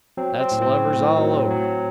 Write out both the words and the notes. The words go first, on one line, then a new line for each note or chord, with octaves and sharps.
That's lovers all over.
F#3 C4
C4
A2
C4
A2
F#3
F#3